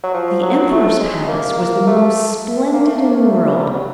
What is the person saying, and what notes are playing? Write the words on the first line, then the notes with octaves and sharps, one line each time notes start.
The Emperor's palace was the most splendid in the world.
F#3
F3
F#3
A3
G#3
A#3
A#3
A3
A#3
A3
A#3
A3
G3
F#3